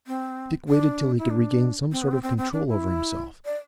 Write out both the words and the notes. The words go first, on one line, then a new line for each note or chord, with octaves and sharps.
Dick waited till he could regain some sort of control over himself.
C4
D4
E4
D4
C4
B3
C4
C4
C4
D4
E4
D5